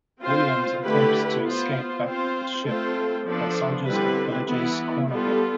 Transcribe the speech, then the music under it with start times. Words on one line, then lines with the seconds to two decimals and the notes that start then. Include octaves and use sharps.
Williams attempts to escape back to his ship, but soldiers and villagers corner him.
0.22 C4 F4 C5
0.83 D3 A3 E4 G4 B4
1.44 B3 F4 C5
2.05 C4 F4 C5
2.65 A3 C4 F4 A4 C5
3.26 F3 B3 D4 A4
3.87 D3 G3 C4 E4 B4
4.48 E3 B3 E4
5.09 G3 B3 F4 A4